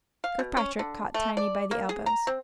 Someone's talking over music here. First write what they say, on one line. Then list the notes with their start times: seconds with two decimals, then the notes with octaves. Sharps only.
Kirkpatrick caught Tiny by the elbows.
0.24 F5
0.39 B2
0.57 C#4
0.79 D3
1.14 A3
1.37 D5
1.71 A#3
1.89 G#4
2.06 A#5
2.27 C4